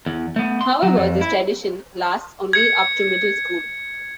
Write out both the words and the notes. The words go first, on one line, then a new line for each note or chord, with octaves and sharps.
However, this tradition lasts only up to Middle School.
E2
A3 B3
C6
F#3
F2
E4
G#6 C#7